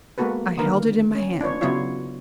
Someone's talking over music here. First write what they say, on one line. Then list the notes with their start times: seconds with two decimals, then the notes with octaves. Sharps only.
I held it in my hand.
0.18 G#3 A#3 B3 F#4 A4 B4
0.58 D3 D#3 A#3 A#4 B4
1.15 C#4
1.41 D4 F4 B4 C#5
1.61 C#3 F#3 B3 E4 F4 C#5